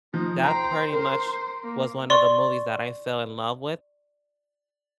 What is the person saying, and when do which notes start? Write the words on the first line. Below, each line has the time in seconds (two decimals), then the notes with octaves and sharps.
That pretty much was one of the movies that I fell in love with,
0.14 F3 D#4
0.43 C5 G5 A#5
0.93 A#4 C5 C6
1.64 A#3
2.10 D5 C6 C#6